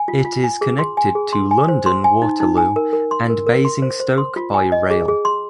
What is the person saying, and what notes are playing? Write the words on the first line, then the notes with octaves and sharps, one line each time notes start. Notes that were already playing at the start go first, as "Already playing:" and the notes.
It is connected to London Waterloo and Basingstoke by rail.
Already playing: G#5
F4
F4
G#5
G#4
C6
G#5
G#4
C6
G#5
C5
C6
G#5
D#4
D#4
G#5
A#4
A#4
C6
A#4
A#4
C6
C5
C5
C6
F4
G#5
D#5
G#4
G#4
C6